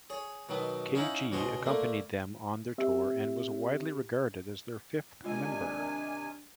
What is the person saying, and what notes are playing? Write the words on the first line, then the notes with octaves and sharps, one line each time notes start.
K-Gee accompanied them on their tour and was widely regarded as their fifth member.
G#4 C#5
B2 D#3 F#3 B3
C#4 D#4 E4 F5 F#5
C#2 B2 F#4 G#4 C5
D3 A3 A#3
C4 G4 E5
C3 D#3 G#3 D4 F4 G#5